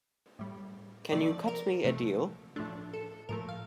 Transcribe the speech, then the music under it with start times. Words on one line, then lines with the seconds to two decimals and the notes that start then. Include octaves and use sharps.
Can you cut me a deal?
0.39 A2 G3
1.12 C3 F3 A3 D5
1.48 A#4
1.84 C3 F3 A3
2.56 A2 F3 A3 D4
2.93 A4
3.29 A2 F3 A3 A#4
3.49 F5